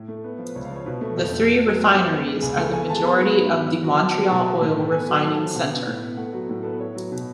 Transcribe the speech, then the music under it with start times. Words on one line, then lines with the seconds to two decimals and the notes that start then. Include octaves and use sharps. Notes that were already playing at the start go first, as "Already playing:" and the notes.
The three refineries are the majority of the Montreal Oil Refining Center.
Already playing: A2
0.08 A3
0.24 B3
0.39 F3
0.49 B4
0.55 C#2 C#5
0.65 F5
0.71 F3
0.76 C#5
0.86 B2 B4
1.01 A3
1.17 F2
1.33 A3
1.49 A3
1.65 F#3
1.80 B3
1.96 F3
2.11 B3 B4
2.26 G#3
2.42 C#2 G#5
2.58 A3
2.73 B3 G#5
2.90 G#3 A5
3.04 B3 B5
3.20 F#3
3.36 G#2
3.51 B3
3.67 B3
3.83 F#3
3.99 B3 A5
4.15 F#3
4.30 B2 A5
4.46 B3
4.61 A2
4.77 A3
4.92 B3 G#5
5.08 F#3
5.24 A3 A5
5.39 F3
5.54 B2 F#5
5.71 B3
5.86 A2
6.02 B3
6.17 A3 F#5
6.33 F#3
6.49 A2
6.63 B3 A4
6.72 B4
6.80 B3 C#5
6.95 F#3
7.12 B2